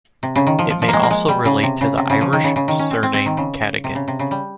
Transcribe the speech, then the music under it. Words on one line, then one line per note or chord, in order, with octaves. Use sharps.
It may also relate to the Irish surname "Cadigan".
C3
C#3
D#3
F3
F3
F3
A#3
G#3
A#3
G#3
G3
C#3
C3
C#3
C3
C#3
F3
D#3
C#3
C#3
D#3
C#4
C4
C4
C4
D#3
C#3
C3
C#3
C3
C#3
G3